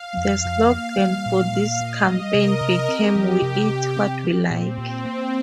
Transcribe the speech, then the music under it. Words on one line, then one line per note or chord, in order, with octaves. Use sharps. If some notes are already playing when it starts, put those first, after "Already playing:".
The slogan for this campaign became "We eat what we like".
Already playing: F5
F2
F2
A#3 F5
G3
A#2
A#2
A#3 D#5
G3
C3 A#4
C3
C4 G4
F3
C3
C3
C4
F3
A#2 C4
A#2
A#3